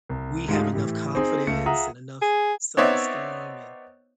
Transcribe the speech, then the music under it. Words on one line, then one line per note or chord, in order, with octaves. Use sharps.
we have enough confidence, and enough self-esteem, and
C2
G#2 G#3 A3 D#4 F4 G4
A2 E3 G4
C4 D#4 G#4
C#2 A3 F4 C#7
F4 G#4 E5 F#5 A#5 D#6
G#4
B3 C4 D#4 C#5 D5 E5